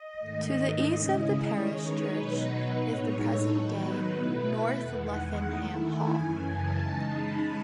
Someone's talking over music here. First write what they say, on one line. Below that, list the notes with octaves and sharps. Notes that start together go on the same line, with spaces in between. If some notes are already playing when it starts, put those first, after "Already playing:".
To the east of the parish church is the present day North Luffenham Hall.
Already playing: D#5
G#2 D#3 A3
D#5
C#3 G#3 C#4 E4
D#3 G#3 D#4 C#5
B4
B2 F#3 B3 D#4
A2 G#3 D#4 C#5
A4
D#3 F#3 B3 D#4 B4
B2 A3 E4
E2 D#3 G#3 F#5
D#3 A3 E4
G#5
F#2 C#3 E3
A5
C#3 G#3 D#4
B5